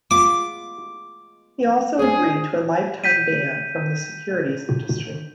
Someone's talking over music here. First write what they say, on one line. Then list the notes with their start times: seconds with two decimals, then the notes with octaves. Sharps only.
He also agreed to a lifetime ban from the securities industry.
0.11 G#3 B3 F4 D6
1.99 C4 D4 G#4
3.04 G6 B6 D#7